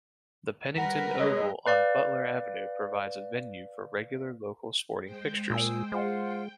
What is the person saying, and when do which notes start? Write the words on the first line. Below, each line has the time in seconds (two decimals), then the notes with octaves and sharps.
The Pennington Oval on Butler Avenue provides a venue for regular local sporting fixtures.
0.77 G3 A#4 B4 F#5
1.19 G#3 C#5 D#5 E6 F#6
1.67 B4 D5 F5
5.05 G#3 C5 G5
5.50 A#2 G#5 D#6 E6
5.92 G#3 F4 C5 F#5
6.23 G5